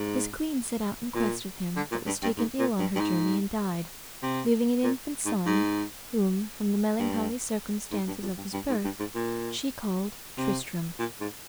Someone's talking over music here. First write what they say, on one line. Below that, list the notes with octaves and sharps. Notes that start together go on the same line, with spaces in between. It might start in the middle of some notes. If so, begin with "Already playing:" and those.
His queen set out in quest of him, but was taken ill on her journey, and died, leaving an infant son, whom, from the melancholy circumstances of his birth, she called Tristram.
Already playing: G#2
A#2
D3
A#2
G2
G2
G#2
A#2
G2
G2
G#2
C3
A#2
G#2
G#2
G2
G#2
G2
F2
G2
G2
G#2
G2
G#2
A#2
C3
A#2
G#2